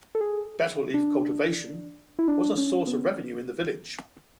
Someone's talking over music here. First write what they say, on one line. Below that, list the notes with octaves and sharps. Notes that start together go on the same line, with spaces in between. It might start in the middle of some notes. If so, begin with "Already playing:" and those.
Betel leaf cultivation was a source of revenue in the village.
A4
G#4
D4
E4
D4
C#4
B3